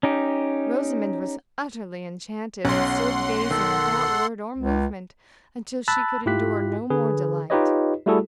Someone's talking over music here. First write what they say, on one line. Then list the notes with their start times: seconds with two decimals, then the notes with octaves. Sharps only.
Rosamond was utterly enchanted, and stood gazing without word or movement until she could endure no more delight.
0.03 C#4 D#4 G4
2.65 B1 C#4 F#5 C6
3.51 D#3 A4
4.58 C#2
5.88 A5 B5 E6 F#6 A6
6.26 G#2 E4 F4 G4 F#6 B6
6.90 D3 G#4 B4
7.50 D#4 F4 G4 B4 C#5 D#5
8.06 G3 A3 E4 F#4 G#4 A4